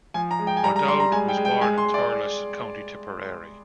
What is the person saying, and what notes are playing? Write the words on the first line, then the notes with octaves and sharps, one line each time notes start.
O'Dowd was born in Thurles, County Tipperary.
F3 G#5
A#5
G#3
G5
G#5
G3 A#5
A#5
G3 C6
A#5
G#3 G#5
G5
G#3
G5
G#3 G#5
C6
G#3
D5